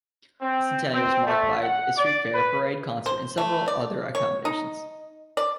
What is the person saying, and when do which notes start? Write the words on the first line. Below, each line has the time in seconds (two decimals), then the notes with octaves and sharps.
The centennial was marked by a street fair, parade, concert, and several other accommodations.
0.42 C4
0.93 C4
1.27 A3
1.62 F#5
1.97 D5
2.34 B4
3.06 C5
3.38 A3
3.68 D5
4.15 C#5
4.45 D#4
5.37 D5